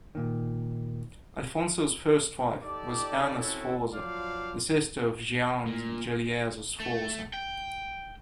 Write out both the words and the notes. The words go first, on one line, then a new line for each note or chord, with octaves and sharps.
Alfonso's first wife was Anna Sforza, the sister of Gian Galeazzo Sforza.
A#2 D#3
D#4 G4 A4 D5
C4 C#4 E4 F#4 A4
F3 F#3 C5 D5 F5
A#2
A3
G5